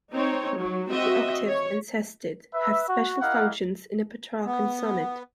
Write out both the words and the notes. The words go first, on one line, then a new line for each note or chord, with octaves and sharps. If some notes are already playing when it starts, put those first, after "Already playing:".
The octave and sestet have special functions in a Petrarchan sonnet.
C4 D#4 C#5
F#3
C4 F#4 D#5 E5
C#5
B4 E5
F#4
E4 G4 A#4 D#5 F5 F#5
B3